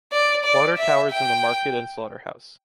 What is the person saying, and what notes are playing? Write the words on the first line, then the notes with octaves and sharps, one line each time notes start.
Water towers in the market and slaughterhouse.
D5
D5
E5
G5